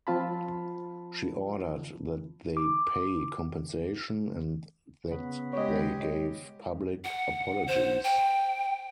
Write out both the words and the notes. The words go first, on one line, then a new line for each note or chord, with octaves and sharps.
She ordered that they pay compensation and that they gave public apologies.
F3 C4 F4 A5 B5
D6
C#3 B3
G#3 G4 C#5 D#5
F#5
C5
G5